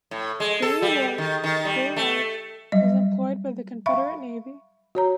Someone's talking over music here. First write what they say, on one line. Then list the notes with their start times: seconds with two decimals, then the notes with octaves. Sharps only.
During the war, De Large was employed by the Confederate Navy.
0.11 A2
0.40 G#3
0.62 A4
0.82 G3
1.18 D#3
1.44 D#3
1.65 G3
1.96 A3
2.72 F#3 G3 D#5
3.86 E5 F5 B5 C#6
4.95 F#4 C#5 A#5